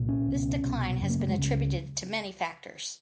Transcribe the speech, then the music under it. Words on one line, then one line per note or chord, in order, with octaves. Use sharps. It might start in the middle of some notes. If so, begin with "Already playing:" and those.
This decline has been attributed to many factors.
Already playing: C2 A#2
C#4
C#2 B2
C2 B2
F#2 C#3
A#3
A#3
G#3
C#2 C#3